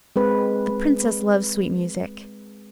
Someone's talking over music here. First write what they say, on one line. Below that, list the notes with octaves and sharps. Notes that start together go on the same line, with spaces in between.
"The Princess loves sweet music."
G#3 C4 B4